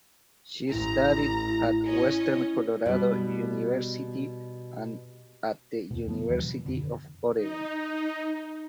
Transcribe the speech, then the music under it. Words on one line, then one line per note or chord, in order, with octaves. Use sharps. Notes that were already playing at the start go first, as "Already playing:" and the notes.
She studied at Western Colorado University and at the University of Oregon.
A1 E4 A#5
C#4 D#5
B2 G3
E2 B2
F2 C#3 F3 B3
D#2 E3 F3 G3
B2
F2 D3
D#4